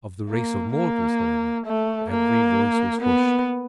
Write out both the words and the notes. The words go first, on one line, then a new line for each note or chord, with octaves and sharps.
Of the race of mortals, however, every voice was hushed.
A#3
A#3
A3
A#3
B3